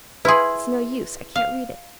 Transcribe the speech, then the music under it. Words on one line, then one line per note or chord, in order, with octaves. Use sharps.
It's no use--I can't read it.'
E4 G#4 B4 C6
F5